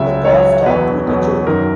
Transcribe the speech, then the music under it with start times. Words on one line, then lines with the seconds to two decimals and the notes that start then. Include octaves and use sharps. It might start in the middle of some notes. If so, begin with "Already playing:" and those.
The car stopped with a jerk.
Already playing: C#2 C#3 F#3 E5
0.24 C#2 C#3 F#3 C#5
0.66 E2 B2 F#3 B4
1.07 E2 B2 F#3
1.47 F#2 D#3 F#3 A#4